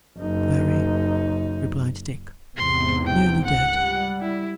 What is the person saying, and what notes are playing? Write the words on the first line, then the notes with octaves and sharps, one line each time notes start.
'Very,' replied Dick. 'Nearly dead.
F#1 D#4
E2 G#2 C3 C6
G5
C#2 F#5
G3
E4